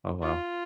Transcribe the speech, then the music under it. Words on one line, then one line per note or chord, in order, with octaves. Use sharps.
oh, wow."
F4